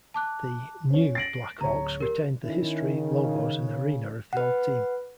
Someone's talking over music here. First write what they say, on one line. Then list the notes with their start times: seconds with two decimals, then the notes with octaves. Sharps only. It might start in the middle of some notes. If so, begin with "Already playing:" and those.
The "new" Black Hawks retained the history, logos, and arena of the old team.
0.14 A5 D6 F#6
0.90 C#4 C#5
1.15 A6 A#6 C7 D7 F#7
1.61 D1 C#5 A#5
2.01 G4 A#4
2.44 D#3 C#4 E4
2.94 C#3
4.33 B4 F#5